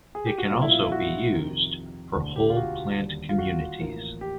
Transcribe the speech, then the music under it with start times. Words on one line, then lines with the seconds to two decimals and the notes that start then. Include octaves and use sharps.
It can also be used for whole plant communities.
0.15 G#4
0.26 G4
0.38 F#4
0.50 A#1 A#2 G3 B3 F4
0.62 E4
0.70 F4
0.92 F#4
1.32 F2 C3 D#3
2.15 E1 D2 D3
2.36 G4
2.50 F4
2.57 F#4
2.98 D#2 D3 G3
3.29 F4
3.38 F#4
3.80 A1 A2 F3 A#3
4.21 G4